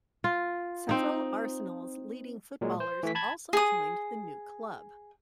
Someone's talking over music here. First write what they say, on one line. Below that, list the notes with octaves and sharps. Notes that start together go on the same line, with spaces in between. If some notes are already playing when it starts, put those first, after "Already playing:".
Several Arsenal's leading footballers also joined the new club.
F4
C4 D#4
A#2 F#3 G#3
C5
E3 A3 B6
A5 B5 G#6
G#4 D#6